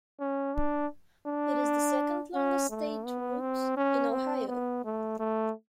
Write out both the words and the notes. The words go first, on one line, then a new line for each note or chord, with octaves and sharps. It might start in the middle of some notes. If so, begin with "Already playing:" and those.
It is the second longest state route in Ohio.
C#4
D4
D4
C#4
A3
B3
C4
C#4
C4
B3
A3
A3